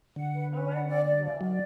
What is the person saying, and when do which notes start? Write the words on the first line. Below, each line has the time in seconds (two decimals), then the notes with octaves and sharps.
Oh, I love that.
0.16 D3 F#5
0.34 B4
0.52 B4
0.70 F#5
0.88 D5
1.05 D5
1.23 D5
1.40 F#3 D5